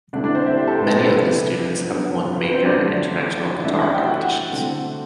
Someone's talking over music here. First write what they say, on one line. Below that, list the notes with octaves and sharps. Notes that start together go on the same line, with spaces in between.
Many of his students have won major international guitar competitions.
D3 A3 D4 E4 D5
D4 D5
C4 C5
E4 E5
G4 G5
A4 A5
B4
C4 C5
A4
C3 G3 D4 B4
F#3 B3 D4
B4
B4
C4 C5
D4 D5
D3 F#3 A3
D5
E3 A3 D4 E4 E5
F#4 F#5
G4 G5
F#4 F#5
D3 A3 C4 E4